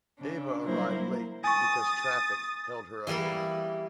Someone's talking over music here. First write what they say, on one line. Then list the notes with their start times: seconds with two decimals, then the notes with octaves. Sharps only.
"Ava arrived late because traffic held her up".
0.18 C#3 C#4 D4
0.64 F#3 G3 A#3 E4 A#4 C5
1.44 G#5 C#6 D#6 A6
3.07 E3 G3 A#3 B3 E4